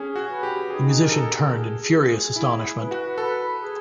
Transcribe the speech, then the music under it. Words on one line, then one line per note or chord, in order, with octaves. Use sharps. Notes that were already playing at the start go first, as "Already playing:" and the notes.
The musician turned in furious astonishment.
Already playing: C#4 G#4
F#4
B4
G4
D#4 G#4
A#4
G#4 A4
G#4
G#4
E4 G#4
B4
F#4
A4 B4
G#4